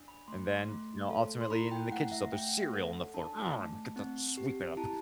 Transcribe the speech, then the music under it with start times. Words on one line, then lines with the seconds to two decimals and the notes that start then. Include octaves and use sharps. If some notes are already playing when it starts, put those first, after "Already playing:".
and then, you know, ultimately in the kitchen, "So there's cereal on the floor. Ugh! Imma get that sweep it up,"
Already playing: D4
0.08 B5
0.28 A3 C6
0.48 C6
0.68 A3
1.10 A4
1.41 C6
1.50 E4 B5
1.71 G5
1.92 A3 F#5
2.12 E5
2.32 A3 G5
2.45 F#5
2.58 E5
2.71 A4 F#5
3.14 D4 A5
3.55 A3
3.96 C4
4.37 G4
4.77 E4 A5